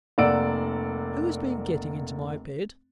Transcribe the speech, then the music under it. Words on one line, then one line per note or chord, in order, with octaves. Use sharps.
"Who has been getting into my bed?"
F1 A#3 D5 F#5 E6 D7